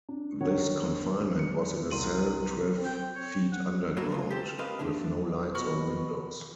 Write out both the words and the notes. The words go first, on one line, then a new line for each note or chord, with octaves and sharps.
This confinement was in a cell twelve feet underground, with no lights or windows.
D4
D3 D#3 F#3 C#5 F#5
C#7
C2 C6 D#7 F#7
C4
G5
C#5
F#5
F#3 A#3 B3 D4 E4 F#4
C2 C#3 F4
G4 A4 C5
C4 G4 A#4 B4 D#5 F5
F2 D3 A3 D4
B2 F#4 B5 F6